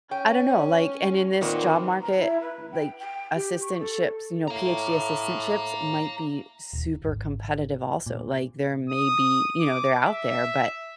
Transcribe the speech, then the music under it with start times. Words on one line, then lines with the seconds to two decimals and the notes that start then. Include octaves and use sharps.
I don't know, like, and in this job market, like, assistantships, you know, PhD assistantships might be super competitive also. Like, there may be you know, they're out there, but
0.11 C#4 G5
1.41 A#2 D#3 B3 C4
2.02 A#5
2.17 E4
2.41 B4
2.72 G5
2.99 G5
3.35 G4
3.62 C#6
3.79 A4
4.48 A2 F5 A#5
6.73 D#1
7.05 G#1
8.06 A#2
8.89 D#6
9.60 D6
10.05 E5